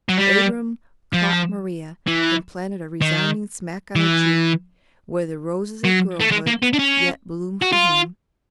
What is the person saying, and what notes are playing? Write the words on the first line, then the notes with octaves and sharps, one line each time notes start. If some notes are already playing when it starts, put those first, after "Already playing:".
Abram caught Maria, and planted a resounding smack on her cheek, where the roses of girlhood yet bloomed for him.
F#3
G3
F3
E3
D#3
E3
F#3
A3
G#3
A#3
B3
D4
C#4
F#4
F4